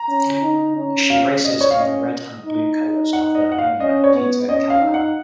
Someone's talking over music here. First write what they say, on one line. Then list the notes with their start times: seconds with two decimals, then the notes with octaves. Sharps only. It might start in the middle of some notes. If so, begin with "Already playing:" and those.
She races in the red and blue colors of her owner Peter Callahan.
Already playing: A#5
0.08 C#4
0.43 D#4
0.76 C#4
1.10 F5
1.44 D#5
1.61 C#5
1.71 F5
1.77 C#4 D#5
2.46 D#4
3.13 F#5
3.35 D#5
3.52 F#5
3.58 F5
3.80 C#4 D#5
4.04 C#5
4.14 B3
4.48 C#4 D#5
4.70 F5
4.82 D#4
4.94 F#5